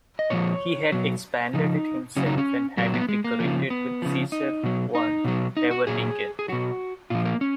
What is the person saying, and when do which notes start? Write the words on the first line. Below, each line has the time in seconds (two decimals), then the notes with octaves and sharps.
He had expanded it himself and had it decorated by Caesar van Everdingen.
0.19 D#5
0.30 A#2 F3 C#5
0.92 B2 F#3
1.54 C#3 F3 D#4
2.16 C#3 F#3 C#4
2.26 D#4
2.38 C#4
2.77 A#2 F#3 A#3
2.94 B3
3.09 G#3
3.24 A#3
3.40 C#3 F3
3.70 B3
4.02 C#3 F3
4.32 D#4
4.63 B2 F#3
4.95 D#4
5.24 B2 F#3
5.57 D#4
5.71 F#4
5.87 A#2 F#3 G#4
6.39 G#4
6.48 B2 F#3 F#4
7.10 A#2 F3 F4
7.25 A#3
7.41 C#4